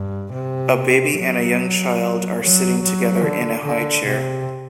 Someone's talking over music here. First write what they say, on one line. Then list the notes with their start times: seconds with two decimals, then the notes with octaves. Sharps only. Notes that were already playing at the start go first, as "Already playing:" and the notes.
A baby and a young child are sitting together in a highchair.
Already playing: G2
0.32 C3
1.16 F#3
2.40 F#3
2.81 F#3
3.22 D3
3.65 D3
4.06 C3